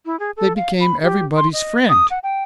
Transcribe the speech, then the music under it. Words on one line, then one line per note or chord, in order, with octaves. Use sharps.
They became everybody's friend.
E4
G#4
A4
F5
B5
G4
C6
D#5
D#6
F#5
G5